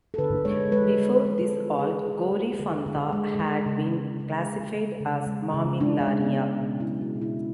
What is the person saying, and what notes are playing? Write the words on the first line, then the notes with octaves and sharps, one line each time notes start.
Before this all "Coryphantha" had been classified as "Mammillaria".
A4
D3 B4
G#3 C#5
G#3 B4
D3
G#3
A4
G#3
G#3 G#4
G#3
G#3
D3
D3
G#3
G#3
C#3
G#3
G#3
C#3
G#3
C#3
G#3
C#3
G#3 D4
C#4
G#3
B3
G#3
B2 D4
E4
F#3
F#4
B2
E4